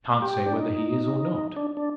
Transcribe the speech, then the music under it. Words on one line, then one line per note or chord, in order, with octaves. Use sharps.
"Can't say whether he is, or not."
G4
D4
D#4
D4
D4